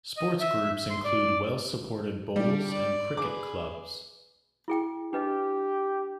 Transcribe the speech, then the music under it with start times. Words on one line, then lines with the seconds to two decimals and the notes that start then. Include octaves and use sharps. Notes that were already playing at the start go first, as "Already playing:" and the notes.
Sports groups include well-supported Bowls and Cricket clubs.
0.17 D#5
0.41 E5
0.90 C6
1.04 D5
2.36 G3 D4 G4
2.70 D5
3.17 G#4 B4 D6
4.68 E4 G#4 G5
5.13 D4 G4 B4 D#5